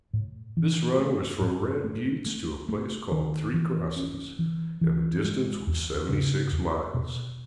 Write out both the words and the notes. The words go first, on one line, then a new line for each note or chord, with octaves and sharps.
This run was from Red Buttes to a place called Three Crossings, and the distance was seventy-six miles.
A2
E3
A3
A2
A3
A3
A3
D#3
E3
C#4
E3
E3
G#3
E2
C#3
E2
B2